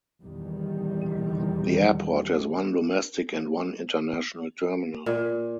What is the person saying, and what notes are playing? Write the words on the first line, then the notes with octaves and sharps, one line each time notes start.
The airport has one domestic and one international terminal.
E2 A#2 D#3 G3
A#2